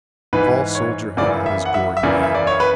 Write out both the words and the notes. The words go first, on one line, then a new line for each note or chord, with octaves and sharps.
The tall soldier held out his gory hand.
G#2 E3 B4
C#5
F#2 C#3 E3 D5
E5
F#5
E5
E5
F#2 C#3 E3 D5
E5
D5
C#5
B4